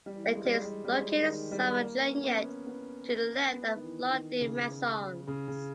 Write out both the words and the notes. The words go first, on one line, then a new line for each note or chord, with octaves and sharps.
It is located south of Junyent, to the left of Llau de Mesons.
G3
E3
G3
G#3
G3
G#3
G3
G3
G#3
D#3
G3
A#3
C#4
B3
B3
B3
D#3
E3
D#3
C#3
C#3
C#3